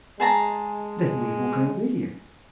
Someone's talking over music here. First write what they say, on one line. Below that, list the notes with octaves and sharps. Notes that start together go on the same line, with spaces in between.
"Then we will go with you."
G#3 G#4 A5 A#5